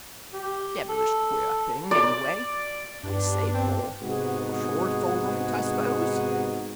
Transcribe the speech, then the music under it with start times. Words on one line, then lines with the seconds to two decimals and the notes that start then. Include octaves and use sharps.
"Devilish queer thing, anyway! I say, Paul, you're sure it's all right, I suppose?"
0.33 G4
0.89 A4
1.91 D5
3.03 G2 B3 D4 G4 B4
3.53 C4
4.02 G#2 C3 B3 D#4 F#4 G#4